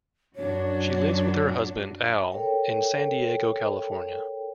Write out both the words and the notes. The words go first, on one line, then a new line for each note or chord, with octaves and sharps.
She lives with her husband, Al, in San Diego, California.
F#2 D4 F#4 C#5
A4 A#4 C#5 G5